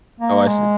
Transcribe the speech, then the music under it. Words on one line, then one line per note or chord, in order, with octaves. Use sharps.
Oh, I see.
A#3
G#3